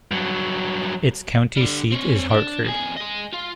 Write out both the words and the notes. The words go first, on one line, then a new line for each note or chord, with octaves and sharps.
Its county seat is Hartford.
G2 F#3
D3 G3
C4 C#5
D4
F2 G#4
G#4 D#5
F4